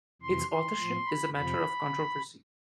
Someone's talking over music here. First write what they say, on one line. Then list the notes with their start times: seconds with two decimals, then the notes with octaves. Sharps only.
Its authorship is a matter of controversy.
0.22 F2 C3 E3 C6
0.50 C6
0.77 A2 F3
1.06 B5
1.34 F2 C3 F3 B5